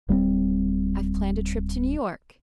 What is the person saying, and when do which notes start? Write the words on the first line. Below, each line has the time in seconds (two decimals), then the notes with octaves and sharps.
"I've planned a trip to New York."
0.08 D1 G3 A3 C4